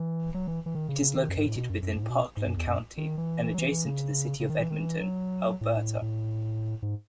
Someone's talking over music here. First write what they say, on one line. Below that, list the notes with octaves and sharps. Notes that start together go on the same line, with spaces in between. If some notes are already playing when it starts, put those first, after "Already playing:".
It is located within Parkland County and adjacent to the City of Edmonton, Alberta.
Already playing: E3
F#3
E3
E3
D#3
C#3
C#3
D#3
F#2
G#2
A2
B2
F#2
F#2
G#2
A2
B2
G#2
F#2
E2
F#2
D#3
E3
F#3
E3
E3
C#3
C#3
D#3
E3
D#3
E3
F#3
A2
A2
G#2